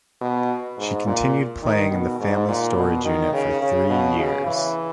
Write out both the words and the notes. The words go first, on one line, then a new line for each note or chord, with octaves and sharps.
She continued playing in the family storage unit for three years.
B2
G#2
A#2
D#3
B2
G#2
A#2
B2
D#3
C#3
C#3
B2
C#3
E3